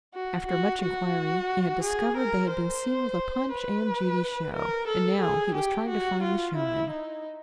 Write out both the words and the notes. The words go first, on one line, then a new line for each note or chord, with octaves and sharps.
After much inquiry he had discovered they had been seen with a Punch-and-Judy show and now he was trying to find the showmen.
F#4
F#4
F#4
G#4
A#4
C5
B4
A#4
A4
G#4
G4
F#4
F4
E4
D#4